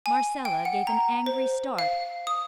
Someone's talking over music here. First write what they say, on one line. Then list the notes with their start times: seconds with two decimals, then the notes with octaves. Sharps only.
Marcella gave an angry start.
0.06 G#5
0.45 G5
0.65 F#5
0.87 A#5
1.26 C5
1.79 F5
2.27 D#6